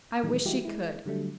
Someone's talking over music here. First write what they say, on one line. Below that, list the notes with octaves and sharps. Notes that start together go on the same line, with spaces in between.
I wish she could.
A#2 D#3 E3 F#3 G#3
E3 G3 G#3 E4 F#4 G4
G#3 E4
D3 F#3 G3 A3